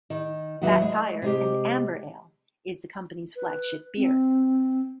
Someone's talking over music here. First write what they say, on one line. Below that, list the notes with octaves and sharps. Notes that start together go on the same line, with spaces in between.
Fat Tire, an amber ale, is the company's flagship beer.
D#3
D#2 E3 F#3 D#4 F#5
G#3
C3 G#3 G4
B4
C4